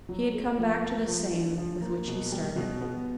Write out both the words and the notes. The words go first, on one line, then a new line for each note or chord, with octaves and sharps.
He had come back to the same with which he started.
F#3
A3
F3
A#3
F3
D4
F3
A#3
B2
G3
B2
B3